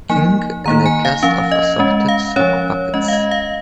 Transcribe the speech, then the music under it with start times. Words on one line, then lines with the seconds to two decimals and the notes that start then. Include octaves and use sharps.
King and a cast of assorted sock puppets.
0.10 F3 A#3 D#4 G#5
0.66 D#3 A#3 D#4 A#5
0.86 G#5
1.05 F5
1.23 F3 C#4 F5
1.52 D#5
1.79 G#3 C#4
2.08 F5
2.36 F3 C#4 C#5
2.94 G#3 C#4 D#5
3.08 F5
3.13 D#5
3.31 F5